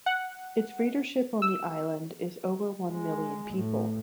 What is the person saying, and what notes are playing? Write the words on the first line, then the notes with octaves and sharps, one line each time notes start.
Its readership on the island is over one million people.
F#5
E6
G#3
A2